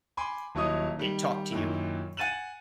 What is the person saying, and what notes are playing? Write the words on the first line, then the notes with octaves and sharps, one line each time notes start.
It talked to you.
G#5 B5 C6 D6
D#1 F#3 E4 C#5 D#5 D#6
D#3 G3
F#2 A#2 D#3 E4
F#5 G#5 A6 D#7 E7 F#7